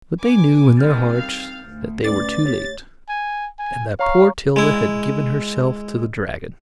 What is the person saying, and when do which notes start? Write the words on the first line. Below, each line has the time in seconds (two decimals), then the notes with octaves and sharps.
But they knew in their hearts that they were too late, and that poor Tilda had given herself to the dragon.
0.19 B4 G#5 D6
0.77 D#3 G3 G#3 C4 F6 G6 A6
1.17 F5
1.65 D2
2.04 C#4 B4 D5 D6 A6
2.46 G4 C#5
3.09 G#5
3.59 G#5
3.99 C#5 F5 A#5 C#6
4.56 G#3 E4